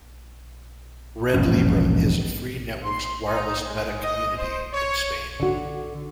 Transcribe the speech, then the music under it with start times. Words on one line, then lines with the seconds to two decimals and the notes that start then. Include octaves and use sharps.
RedLibre is a free networks wireless meta community in Spain.
1.34 E1 A#1 G#2 C#4
2.83 C6
3.26 D#4
3.64 G#3
4.01 D#5
4.37 C5
4.72 C#5
5.40 D3 F#4